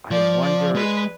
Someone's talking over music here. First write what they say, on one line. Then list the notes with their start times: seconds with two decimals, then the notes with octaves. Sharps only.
I wonder
0.11 F3 D5
0.43 D5
0.75 G#3 B4